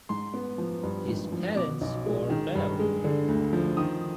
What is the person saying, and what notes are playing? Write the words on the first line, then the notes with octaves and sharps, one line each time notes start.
His parents were Rev.
G#2 C6
B3
F3
G2
G#1
F3
B2 D6
B1
G#3
D#3
G2
G#3
D3
D2
F3
D#3 D#6